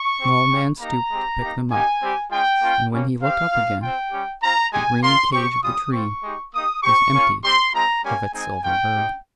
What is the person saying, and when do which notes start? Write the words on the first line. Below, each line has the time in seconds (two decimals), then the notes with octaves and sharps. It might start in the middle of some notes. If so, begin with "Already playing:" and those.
The small man stooped to pick them up, and when he looked up again the green cage of the tree was emptied of its silver bird.
Already playing: C#6
0.20 C4 G4
0.50 G3 C#4 G4
0.80 A#3 D#4 G4 A#5
1.10 G#3 C4 G4
1.41 A#3 D#4 G4
1.71 A#3 D#4 G4 G#5
2.01 G3 C4 G4
2.30 G#3 C#4 F4 G5
2.62 A#3 C#4 F4
2.91 G3 A#3 C#4
3.22 C4 G4 F5
3.51 A#3 F4
3.81 C4 F4 G5
4.12 G3 C#4 G4
4.41 C4 F4 A#5
4.72 G#3 D#4 G4 G#5
5.02 A#3 F4 C6
5.32 C4 G4 C#6
5.62 G3 C#4 F4 D#6
5.92 C4 F4 C#6
6.23 G#3 D#4 G4
6.53 A#3 D#4 G4 D#6
6.83 C4 G4 C#6
7.13 A#3 C#4 F4
7.43 G3 C4 G4 C6
7.73 G#3 C4 F4 A#5
8.04 G3 A#3 C#4 G4 G#5
8.33 G#3 C4 D#4 G#5
8.63 A#3 C#4 F4 G5
8.94 C4 D#4 G4